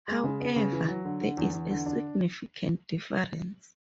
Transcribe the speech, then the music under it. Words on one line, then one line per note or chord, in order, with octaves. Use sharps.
However, there is a significant difference.
G#3
C#3
B3
C#3
E3
F#3
D3
D3
E2
E2
D3
D4